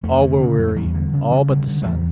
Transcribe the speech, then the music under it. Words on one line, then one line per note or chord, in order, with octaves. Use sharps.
All were weary, all but the sun.
F2 A3
D3
C#3
F2
A3
E2 G3
D3
C#3
C#3
D3 G3
D3
G3
E2 F3